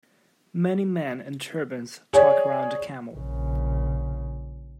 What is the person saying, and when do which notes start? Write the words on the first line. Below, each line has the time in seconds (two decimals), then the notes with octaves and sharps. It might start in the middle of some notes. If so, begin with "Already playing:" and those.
Many men in turbans talk around a camel.
2.13 G#4 C#5 D5
3.15 A#1 C#3